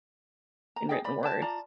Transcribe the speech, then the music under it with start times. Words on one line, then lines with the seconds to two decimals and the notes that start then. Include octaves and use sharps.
in written word.
0.76 A#5
0.89 D#4 G#4 D#5 G5
1.04 D5 B5
1.23 B4 G5 A5
1.42 F4 D5 A5 A#5